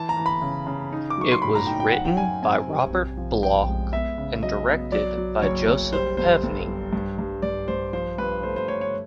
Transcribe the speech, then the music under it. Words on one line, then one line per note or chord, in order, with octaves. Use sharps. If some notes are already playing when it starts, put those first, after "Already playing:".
It was written by Robert Bloch, and directed by Joseph Pevney.
Already playing: E3 A5
A#5
E3
B5
C#3
C#3
D#4
D6
F#3 C#6
C6
A2 B5
A#5
D#4 G5
G5
F#2 F#5
G5
F#2 G#5
C4 G#5
G3
C3
F3
F2 G5
G#3
B3 E5
C#3
F#3 D#5
B3
F#3 D5
F#3
F#1 C#5
F#1
G3 C5
G1 C5
G1
G3
G2
G2
G2 D5
G2 C5
F3 C5
G2 B4
A3 C5
C5
A3 C#5
C#5